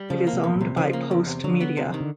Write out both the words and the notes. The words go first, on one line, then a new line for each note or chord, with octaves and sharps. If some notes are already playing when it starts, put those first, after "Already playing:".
It is owned by Postmedia.
Already playing: G3
C#3 F3
A#3
C3
E2
A#2
C3
C#3 F3
A#3
E2
C3
D3 F#3
B3
C3
D#3
D3